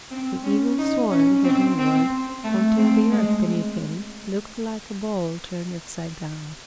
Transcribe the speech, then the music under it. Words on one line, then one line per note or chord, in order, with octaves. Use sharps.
The Eagle soared heavenward, until the earth beneath him looked like a bowl turned upside down.
C4
C#4
D#4
C#4
C4
C4
A3
C4
G#3